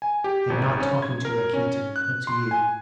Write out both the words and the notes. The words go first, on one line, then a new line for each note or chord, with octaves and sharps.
I am not talking to Rakitin, but to you.
G#5
G4
G#1
C#4
G#6
A#4
C#4
F#6
C6
G#5